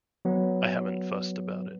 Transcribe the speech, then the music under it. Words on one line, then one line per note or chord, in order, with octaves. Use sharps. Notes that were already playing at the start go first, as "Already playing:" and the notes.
I haven't fussed about it.
F#3 B3